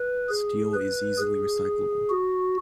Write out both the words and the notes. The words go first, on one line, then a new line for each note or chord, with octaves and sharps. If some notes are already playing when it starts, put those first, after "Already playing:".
Steel is easily recyclable.
Already playing: B4
G#4
B4
G#4
F#4